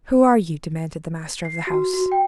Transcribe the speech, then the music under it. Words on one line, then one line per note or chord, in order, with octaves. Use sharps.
"Who are you?" demanded the master of the house.
C7
F#4
F#4
G5